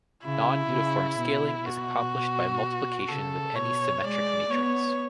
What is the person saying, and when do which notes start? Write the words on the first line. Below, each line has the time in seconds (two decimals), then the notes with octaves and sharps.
Non-uniform scaling is accomplished by multiplication with any symmetric matrix.
0.25 C#3 E4
0.72 C#3
1.20 B2
1.67 B2 F#4
3.09 C#3 A4
3.56 B2 C#5
4.04 G#3 D5
4.51 B3 C#5